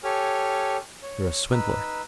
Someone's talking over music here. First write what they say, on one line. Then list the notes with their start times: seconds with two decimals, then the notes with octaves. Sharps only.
"You're a swindler!"
0.04 G4 A4 C#5 G#5 F6
1.03 C#5
1.51 D#4 B4 E6